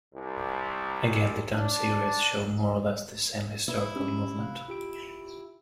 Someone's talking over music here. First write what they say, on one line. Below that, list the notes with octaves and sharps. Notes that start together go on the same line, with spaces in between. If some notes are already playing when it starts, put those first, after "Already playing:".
Again, the time series show more or less the same historical movement.
C2
D4
E4 B4
C#4 D4 G4
C3 F5 F#6
F4 G4 D7